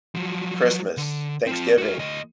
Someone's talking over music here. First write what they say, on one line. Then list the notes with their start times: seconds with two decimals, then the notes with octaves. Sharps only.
Christmas, Thanksgiving,
0.15 F3 F#3
0.97 D3
1.47 C4 F4
1.78 F#4 E5
1.98 D2 D#5